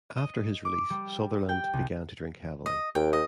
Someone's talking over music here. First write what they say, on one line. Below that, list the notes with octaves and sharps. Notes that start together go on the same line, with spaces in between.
After his release Sutherland began to drink heavily.
D#5
D6
G3
G5
C2
D#5
D#2 G5
D#5